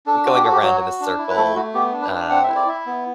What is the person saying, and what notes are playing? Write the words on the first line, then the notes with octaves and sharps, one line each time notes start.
going around in a circle, uh,
D4 A4
F#4
G4
F#4 A4
G4
F#3 F#4
F#4
D4
E4
B4
A3 A4
A3 F#4
B3 G4
D4
B4
D4
C4 F#5
E5
E4
D5
E4 E5
B3